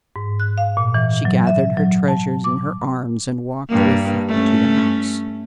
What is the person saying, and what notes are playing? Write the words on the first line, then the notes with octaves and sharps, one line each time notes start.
She gathered her treasures in her arms and walked with them to the house.
G#2
F#6
F5
A#2
E3
F#3
E5
F#3
A5
D6
G2 A#3
A3 C#4